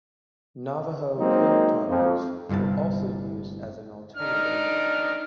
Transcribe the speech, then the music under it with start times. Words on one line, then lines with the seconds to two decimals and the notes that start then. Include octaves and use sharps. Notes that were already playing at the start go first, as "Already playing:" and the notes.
Navajo code talkers were also used as an alternative.
1.19 F#3 G#3 A#3 C4 D#4
1.89 F2
2.49 G1 C2 G2 C3 A5
4.17 D4 D#4 F6